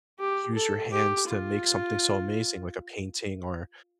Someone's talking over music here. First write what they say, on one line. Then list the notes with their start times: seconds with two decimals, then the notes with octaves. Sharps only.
use your hands to make something so amazing, like a painting or,
0.19 G4
0.55 A4
0.92 G4
1.28 F4